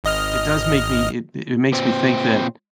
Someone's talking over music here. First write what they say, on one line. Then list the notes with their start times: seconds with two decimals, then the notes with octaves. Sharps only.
it does make me it it makes me think that
0.04 G#1 D#5 F6
1.72 A#2 C4